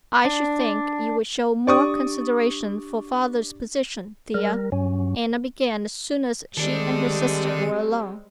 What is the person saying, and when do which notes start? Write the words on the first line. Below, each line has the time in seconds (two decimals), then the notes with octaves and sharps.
"I should think you would show more consideration for father's position, Thea," Anna began as soon as she and her sister were alone.
0.25 D4
1.67 D4 G4 D5 C#6 D#6
4.34 G3 A#4
4.72 G2 F#3 C#4
6.57 D#3 G3 G#3 C4 A4 D5